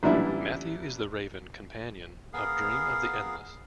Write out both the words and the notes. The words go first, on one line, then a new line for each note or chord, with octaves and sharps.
Matthew is the raven companion of Dream of the Endless.
A1 A#2 G3 B3 D4 E4
B3 G#4 A#4 F5